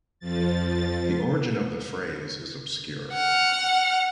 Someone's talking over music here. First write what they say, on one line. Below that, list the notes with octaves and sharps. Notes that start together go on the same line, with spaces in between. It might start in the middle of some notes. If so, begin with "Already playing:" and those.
The origin of the phrase is obscure.
F2 F3 A6
F#5 F6